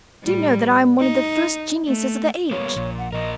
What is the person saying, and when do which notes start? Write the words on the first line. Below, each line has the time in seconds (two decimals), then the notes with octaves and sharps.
Do you know that I am one of the first geniuses of the age?
0.24 A2 G3
0.99 D#4
1.87 A3
2.51 G3 A#3 B3 C#5
2.77 A#1 A#2
2.98 F#5
3.12 F3 A#4 D#5